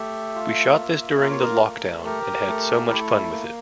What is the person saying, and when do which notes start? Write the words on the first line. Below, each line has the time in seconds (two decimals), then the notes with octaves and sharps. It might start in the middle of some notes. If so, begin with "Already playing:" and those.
We shot this during the lockdown and had so much fun with it.
Already playing: A3 G4 E5
0.35 F4
0.78 A#3
1.20 F4 A#4
1.30 C#5
1.40 A#4
1.62 A3
2.05 G4 A#4
2.48 A3
2.90 E4
3.32 A#3